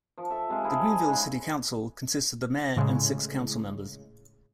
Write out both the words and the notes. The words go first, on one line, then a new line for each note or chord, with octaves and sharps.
The Greenville City Council consists of the mayor and six council members.
F3
A4 E5
C3 G#3 F4 F5
D#4 E4 G#4 A4
G#5
C#3 G#3
A2 C#3 G#3